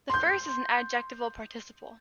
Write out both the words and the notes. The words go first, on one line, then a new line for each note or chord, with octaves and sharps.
The first is an adjectival participle.
C6 G6